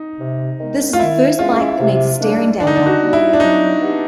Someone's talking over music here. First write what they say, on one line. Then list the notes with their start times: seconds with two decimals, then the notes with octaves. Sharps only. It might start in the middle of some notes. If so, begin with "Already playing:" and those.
This is the first bike that needs a steering damper.
Already playing: D#4
0.19 C3
0.59 D#3 G#3 B3 D#4
0.93 F4
0.99 D#3 E4
1.39 G#3 C#4 F4
1.52 F4
1.60 E4
1.79 C3
2.20 D#3 G3 A#3 D4
2.59 D3 D4
2.67 D#4
2.76 D4
2.86 F#4
3.00 G3 A#3
3.13 E4
3.33 D4
3.40 F#3 D#4
3.80 B3 D4 G4